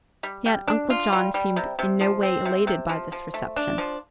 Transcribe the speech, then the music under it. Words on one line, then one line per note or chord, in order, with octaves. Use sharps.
Yet Uncle John seemed in no way elated by this reception.
G3
G3
D4
F4
G3
G3
C3
C3
F3
C4
C3
C3
F3
F3
A3
D4
F3